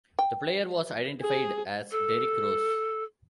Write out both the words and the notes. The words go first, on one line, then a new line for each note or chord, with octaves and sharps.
The player was identified as Derrick Rose.
G5
G#4
A4